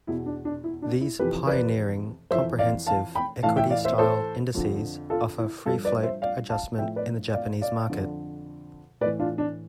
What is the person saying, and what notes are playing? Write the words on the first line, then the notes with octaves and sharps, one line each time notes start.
These pioneering, comprehensive, equity style indices offer free-float adjustment in the Japanese market.
E2 B2 E4
D4
D4
E4
D4
E4
F2 C3 E3 G4 B4
B4 D5
F2 E3 C5 E5
D5 F5
F5 A5
G5 B5
A2 E3 F5 A5
E5 G5
D5 F5
C5 E5
A4 C5
F2 D3 F3
F4 A4
E4
G2 F3 F4 A4
B4 D5
C5 E5
D5 F5
F5 A5
A2 F3 E5 G5
B4 D5
D5 F5
D5 F5
F2 D3 F3
A2 B4 D5
E3
D4 F4
D4